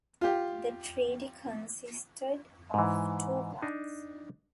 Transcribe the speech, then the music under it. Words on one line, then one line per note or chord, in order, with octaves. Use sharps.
The treaty consisted of two parts.
F4 G4
G#2 E3
D4 D#4